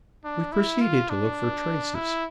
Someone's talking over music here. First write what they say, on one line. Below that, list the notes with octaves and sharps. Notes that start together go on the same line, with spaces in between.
We proceeded to look for traces.
D4
E4
F4
D4
E4